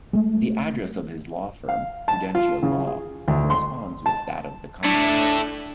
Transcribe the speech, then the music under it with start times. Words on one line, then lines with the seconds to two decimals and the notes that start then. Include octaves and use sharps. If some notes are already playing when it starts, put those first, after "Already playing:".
The address of his law firm, Prudentia law, corresponds with that of the company.
0.13 G#3 A3
1.69 F5
2.08 A5
2.35 F4
2.63 C#3
2.87 G#4
3.28 D2
3.50 C6
4.06 A5
4.85 A3 D4 E4